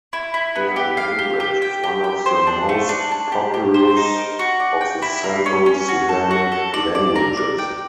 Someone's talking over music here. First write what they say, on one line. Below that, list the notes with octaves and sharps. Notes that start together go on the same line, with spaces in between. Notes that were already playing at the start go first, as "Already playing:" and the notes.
Their language is one of the most populous of the Central Sudanic languages.
E4
E4
B3
G4
F5
G4
G4
G5
G4
G5
C5
D4
A3
D4
D4
G4
G4
C5
D#4
A#4
F#4
D5
G5
E4
A#3
C#4
C#4
F#4
A4
F#4
A4
D5
D5
A#4
D5
G5